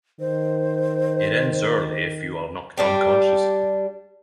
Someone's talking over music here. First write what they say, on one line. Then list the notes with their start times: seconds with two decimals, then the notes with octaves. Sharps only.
It ends early if you are knocked unconscious.
0.20 D#3 C5
2.77 G3 D4 G4